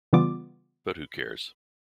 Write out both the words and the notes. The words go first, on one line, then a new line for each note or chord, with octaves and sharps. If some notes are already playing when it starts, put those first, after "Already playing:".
But who cares?
C#3 E3 G3 B3 F4 D6